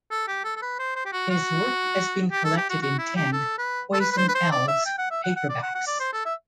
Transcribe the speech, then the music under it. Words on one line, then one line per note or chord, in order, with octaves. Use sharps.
His work has been collected in ten "Poison Elves" paperbacks.
A4
G4
A4
A4
B4
C5
C5
G4
F#4
F#4
G4
A4
G4
F#4
F#4
E4
G4
A4
B4
A4
B4
B4
C5
B4
C5
D5
E5
G5
F#5
E5
F#5
F#5
D5
F#5
F#5
D5
C5
A4
E5